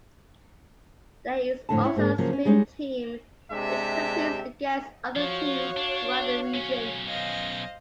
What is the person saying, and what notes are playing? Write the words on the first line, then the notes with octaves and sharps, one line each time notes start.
There is also a swim team which competes against other teams throughout the region.
F2 A2 D3 A5
E4 C#5
G#2 D3 A#3 G#4
C#3 F3 F#3 A#3
C#4
G3 G#3 D#4 B4 C#5
C3 G#3 D4 G4 E5
F3 F#4 C#5 F5
D4
B1 C#4
C5 D#5 F5